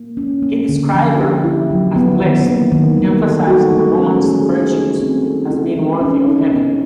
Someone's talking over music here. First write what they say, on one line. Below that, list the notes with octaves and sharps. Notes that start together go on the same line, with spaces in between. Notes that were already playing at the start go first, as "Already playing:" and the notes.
He described her as "blessed," emphasizing the woman's virtues as being worthy of heaven.
Already playing: A#3
C#4
A#3
D3
F3
G4
E4
F#3
B3
D#3
A#3
D#3
G3
A4
F#4
A3
C#4
G#4
D#4
A3
C4
A4
E4
G#3
C#4
D#4
B3